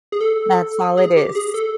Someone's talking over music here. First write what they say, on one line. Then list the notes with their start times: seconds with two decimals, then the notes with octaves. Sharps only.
That's all it is.
0.12 G#4
0.21 A4
0.97 G#4
1.16 G4
1.35 G#4
1.54 A4